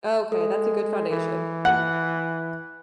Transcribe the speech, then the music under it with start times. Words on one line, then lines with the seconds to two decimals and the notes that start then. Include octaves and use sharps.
Okay, that's a good foundation.
0.32 G#3 A4
1.10 E3
1.65 F#5 F#6